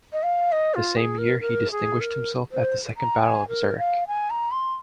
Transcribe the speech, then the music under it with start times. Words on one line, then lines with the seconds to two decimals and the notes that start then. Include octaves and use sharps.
The same year he distinguished himself at the Second Battle of Zurich.
0.12 D#5
0.23 F5
0.52 D#5
0.74 F4
0.96 G#4
1.18 A#4
1.40 A#4
1.71 G#4
2.00 A#4
2.51 C5
2.97 A#5
3.19 G#5
3.48 A#4
3.78 F5
4.07 G#5
4.30 A#5
4.51 C6